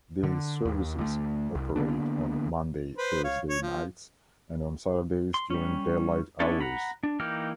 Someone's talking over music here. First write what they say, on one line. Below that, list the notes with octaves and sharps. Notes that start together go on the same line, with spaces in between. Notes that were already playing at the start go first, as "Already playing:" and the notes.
These services operate on Monday - Thursday nights and on Saturdays during daylight hours.
D3
D#2
D2 A3
C2
D3 A#3 B3 D4
B4 C5
C#5 F5
C#5
F3
C6
G3 C#4
B3 C#4 D4 E4 A4
F#5 A#5 B5
D4
E3 A#3 D#4 G4 F6